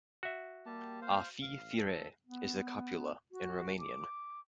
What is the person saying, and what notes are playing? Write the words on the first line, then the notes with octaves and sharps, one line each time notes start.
"A fi, fire" is the copula in Romanian.
F#4 E5
G3 A#3 G4 A5
C5 F5
A1 F5
A4
B3
F#4
D6